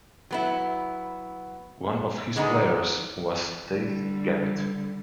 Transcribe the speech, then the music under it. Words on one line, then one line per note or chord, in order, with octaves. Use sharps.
One of his players was Dave Gavitt.
F#3 B3 E4
D3 G#3 B3 D#4
D3 G3